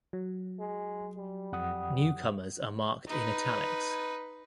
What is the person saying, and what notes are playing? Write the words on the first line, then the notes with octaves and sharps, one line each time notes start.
Newcomers are marked in italics.
F#3
G#3
G3
F2 F#5 D#6
D#4 B4